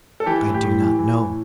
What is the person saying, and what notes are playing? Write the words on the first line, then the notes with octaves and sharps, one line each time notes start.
"I do not know."
A4
E3 G4
A2
G4
A2
E3
E3
A2